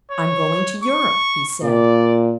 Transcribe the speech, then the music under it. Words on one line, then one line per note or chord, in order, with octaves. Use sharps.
"I'm going to Europe," he said.
C#5
C#6
A#2 D5